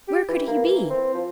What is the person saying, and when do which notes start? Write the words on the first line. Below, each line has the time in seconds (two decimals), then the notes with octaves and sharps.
Where could he be?
0.08 G4
0.28 E3
0.47 A#3
0.65 E3
0.90 C4
1.14 F3